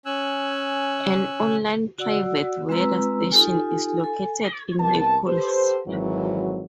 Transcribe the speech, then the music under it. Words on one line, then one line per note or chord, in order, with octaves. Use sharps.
An online private weather station is located in Nicholls.
C#4 G#5 E6 F#6
F#4 D5 F#5 E6
G#3 C4 F4 B4 A#5 E6
D#4 F4 G4 A4 G#5
A4 G#5
C2 B3 A#4 A5
G4 A4 B4 C5
G#1 F2 E3 F#3